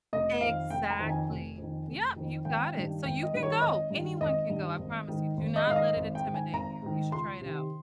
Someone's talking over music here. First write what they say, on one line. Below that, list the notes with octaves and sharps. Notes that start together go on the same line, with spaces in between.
Exactly! Yep, you got it, so you can go. Anyone can go, I promise you, do not let it intimidate you, you should try it out.
F1 D#5
F2 D#3 F5
F1 G5
A#5
F2 D#3
G#5
F1
F2 D#3
F1
F2 D#3
G#1 G5
G2 D#3
G#1 G5
D#5
G2 D#3
C#5
G#1 D#5
G2 D#3
G#1 D#5
G2 D#3
G#1
G#2 D#3
G#1
D#5
G#2 D#3 F5
D#5
G#1
G5
G#2 D#3
G#5
G#1 A#5
G#2 D#3
C#2 C6
C3 D#3